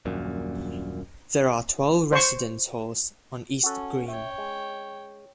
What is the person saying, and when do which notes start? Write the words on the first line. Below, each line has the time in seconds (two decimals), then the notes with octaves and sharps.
There are twelve residence halls on East Green.
0.05 D#1 A#1 F#2 A#2
2.13 C5 C#6
3.63 C#4 F#4 A4
4.08 C#5 E5 G5
4.38 G#3